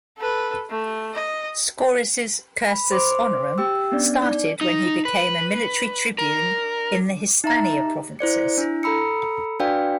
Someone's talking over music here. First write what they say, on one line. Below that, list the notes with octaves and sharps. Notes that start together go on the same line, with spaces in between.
Scaurus' "cursus honorum" started when he became a military tribune in the Hispania provinces.
A4 B4
A3
D#5
B5
C5 C6 D6
G4 G5 E6
B3 C#4 D4 D5
D#4 D5
D#4
B4
A#4
D#4 E5 A#5
E4 C5 D5 C#7
D4 E4
A4 A#5 B5 E6 C#7
D4 F#4 B4 D5 F5 G5